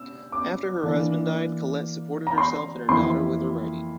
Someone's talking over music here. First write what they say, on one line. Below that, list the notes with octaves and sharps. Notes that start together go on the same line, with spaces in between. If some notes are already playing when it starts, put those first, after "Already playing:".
After her husband died, Colet supported herself and her daughter with her writing.
Already playing: E6
D6
E3 A#3 D4
A#5
C6
F2 E3 A#3 E4 C6